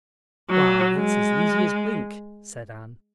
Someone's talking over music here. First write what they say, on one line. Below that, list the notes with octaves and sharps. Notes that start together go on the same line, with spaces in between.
"Why, it's as easy as wink," said Anne.
F#3
G#3